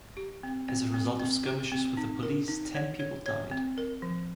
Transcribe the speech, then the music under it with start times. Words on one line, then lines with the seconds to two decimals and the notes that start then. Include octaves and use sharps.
As a result of skirmishes with the police, ten people died.
0.17 G4
0.43 C4
0.69 C4
0.94 C4
1.20 C4
1.46 G4
1.72 C4
1.97 D#4
2.23 A#4
2.48 D#4
2.75 C#5
2.99 C#5
3.26 C#5
3.51 C4
3.78 A#4
4.02 F3